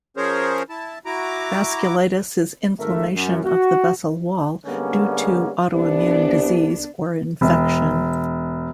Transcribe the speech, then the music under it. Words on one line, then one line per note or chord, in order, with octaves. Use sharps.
Vasculitis is inflammation of the vessel wall, due to autoimmune disease or infection.
F3 C#4 G#4 A#4 C5 C#5
E4 A5
E4 F#4 A#5 D6
G#1 A3 A#4 E5
F#2
F#4
D3 G3 G#3 A#3 B3 C#4
C2 B3 D4
E1